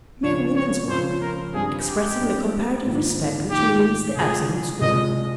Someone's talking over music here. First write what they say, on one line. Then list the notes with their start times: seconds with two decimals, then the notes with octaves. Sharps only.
"Mere woman's work Expressing the comparative respect Which means the absolute scorn."
0.23 C#2 C#3 F3 C#5
0.56 C#5
0.89 C#2 C#3 F3 C5
1.22 A#4
1.54 G2 G3 C4 G#4
1.87 G4
2.19 G2 G3 C4
2.85 A#1 G#2 D#3 A#3
3.51 A#1 G#2 D#3 A#3 G4
4.16 C2 A#2 G#3 G#4
4.81 C2 A#2 G#3 D#5